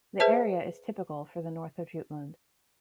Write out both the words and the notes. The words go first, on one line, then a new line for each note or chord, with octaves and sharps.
The area is typical for the north of Jutland.
G#4 B4 C5 E5 A5